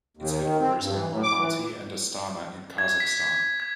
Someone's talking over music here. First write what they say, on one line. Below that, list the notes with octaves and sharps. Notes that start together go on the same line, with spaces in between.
Its headquarters are in Almaty and Astana in Kazakhstan.
D#2
D#3
C4
G2
E3
A2
D6
E3
G#6
B6
B6
G#6